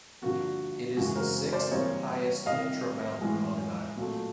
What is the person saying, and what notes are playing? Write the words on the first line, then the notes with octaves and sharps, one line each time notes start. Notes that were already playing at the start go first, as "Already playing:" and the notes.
It is the sixth highest ultra mountain on an island.
G2 D3 F3 A#3 F#4
F#2 C#3 E3 G#3 F#4
A#4 C5
C5 D5
G2 E3 G3 A#3 C#5 D#5
C3 D#3 G3 D#5 F5
A2 E3 G#3
A#2 F#3 A3